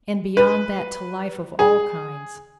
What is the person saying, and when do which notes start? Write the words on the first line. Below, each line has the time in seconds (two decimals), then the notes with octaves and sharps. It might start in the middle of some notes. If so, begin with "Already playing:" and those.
And beyond that to life of all kinds.
0.37 B4
1.59 G#4